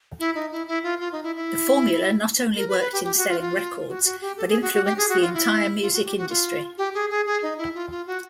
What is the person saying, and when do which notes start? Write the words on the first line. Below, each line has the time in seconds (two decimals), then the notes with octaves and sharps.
The formula not only worked in selling records, but influenced the entire music industry.
0.20 E4
0.35 D#4
0.52 E4
0.68 E4
0.83 F4
1.00 F4
1.12 D#4
1.23 E4
1.36 E4
2.57 A#4
2.69 B4
2.80 B4
2.93 G4
3.04 G4
3.17 F#4
3.28 F4
3.41 F4
3.88 F#4
4.05 F#4
4.21 G4
4.37 A4
4.49 G#4
4.62 F#4
4.73 F#4
4.85 G4
4.97 G#4
5.09 F#4
5.21 F4
5.34 E4
5.81 F4
5.93 F#4
6.05 G4
6.17 F#4
6.29 F4
6.78 G4
6.94 G#4
7.10 G#4
7.26 G#4
7.43 D#4
7.58 E4
7.75 F4
7.91 F4
8.07 F#4